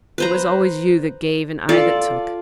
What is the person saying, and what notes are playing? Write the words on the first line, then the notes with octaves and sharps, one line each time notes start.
It was always you that gave and I that took.
B4 C5 A#5
F4 A4 D5